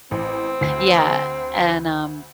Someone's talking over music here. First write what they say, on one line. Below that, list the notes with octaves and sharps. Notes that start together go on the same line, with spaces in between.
yeah, and, um
A1 C4
D2 C7